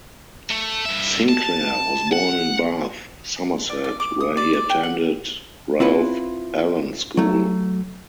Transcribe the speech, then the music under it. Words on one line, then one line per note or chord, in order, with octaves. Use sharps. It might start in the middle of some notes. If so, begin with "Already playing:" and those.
Sinclair was born in Bath, Somerset, where he attended Ralph Allen School.
A3
G2 E5
A5
F#5
D5
D5
D6
D#6
D5
D5
G5
F#5
C4 E4 F4 B4
F#3 A3